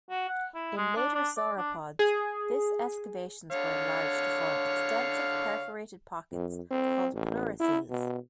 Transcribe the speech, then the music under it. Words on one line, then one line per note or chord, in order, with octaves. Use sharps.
In later sauropods, this excavations were enlarged to form extensive perforated pockets called pleurocoels.
F#4
F#5
E4
G#3
D4
D4
D5
D4
G#4
D3 C#5 F5
F2
C4
A1
E4
B2